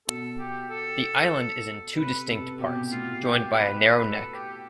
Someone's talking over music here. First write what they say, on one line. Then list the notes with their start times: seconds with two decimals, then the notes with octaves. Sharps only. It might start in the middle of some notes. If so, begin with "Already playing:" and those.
The island is in two distinct parts, joined by a narrow neck.
0.07 B2 A4
0.39 G4
0.70 A4
1.97 C3 B4
2.28 C3 A4
2.60 B2 G4
2.91 A2 F4
3.23 G4
3.55 B4
3.86 B4
4.10 A4
4.34 G4